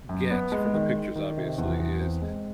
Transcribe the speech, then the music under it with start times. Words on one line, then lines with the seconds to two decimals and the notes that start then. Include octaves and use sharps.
get from the pictures, obviously is,
0.09 F#2
0.31 B3
0.52 G#3
0.74 D#3
0.94 D#3
1.15 D#3
1.37 C3
1.58 E2
1.80 E2
2.01 C4
2.22 G#3